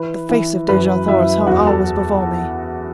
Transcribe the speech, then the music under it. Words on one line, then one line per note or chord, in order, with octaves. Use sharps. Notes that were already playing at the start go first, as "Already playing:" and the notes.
The face of Dejah Thoris hung always before me.
Already playing: E3 B4
E3
F#2 B4
F#2 E4 E5
E2 F#4 F#5
A4 A5